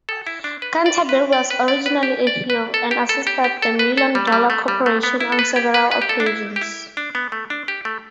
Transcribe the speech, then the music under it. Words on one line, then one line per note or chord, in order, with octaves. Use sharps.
Canterbury was originally a heel, and assisted the Million Dollar Corporation on several occasions.
A4
E4
D4
B4
D5
B4
D5
B4
D5
B4
G4
D5
B4
A4
G4
A4
G4
G4
A4
B4
A4
G3
A3
G3
A3
G3
A3
B3
E4
A4
B4
G4
B4
B4
G4
A4
D4
E4
G4
E4
D4
B3
A3
D4
G4
A3